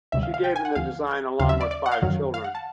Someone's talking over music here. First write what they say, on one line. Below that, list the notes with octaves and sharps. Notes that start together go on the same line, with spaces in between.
She gave him the design, along with five children.
D2 C3 D#3 G3 E5
F5
F5
G5
G#5
F#5
D2 D3 F3 F5
D#2 C#3 F#3 F5
E5
D5
D5
F#5
F5
F#2 D#3 F#3
F5
F#5
A5